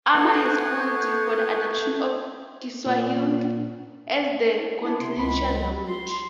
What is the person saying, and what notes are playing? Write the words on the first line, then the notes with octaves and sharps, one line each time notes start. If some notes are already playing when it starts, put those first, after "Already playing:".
Armah has called for the adoption of Kiswahili as the continental language.
A3 B3 F#4 G#4 A4 F#5 G6 G#6
A#2
D4 E4
C3 C6
C#2 B5
C6